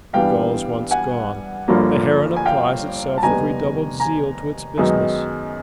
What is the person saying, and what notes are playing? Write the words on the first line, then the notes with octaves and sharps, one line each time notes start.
The gulls once gone, the heron applies itself with redoubled zeal to its business.
G2 E3 G3 B3 D4 F5 G5
F#5 G#5
G1 G2 D3 F3 A#3
G#5
F5 G5
A5
F1 D#2 D#3 G3 B3 G#5 A#5
G#5 A#5
F#2 D#3 G#3 B3 D#4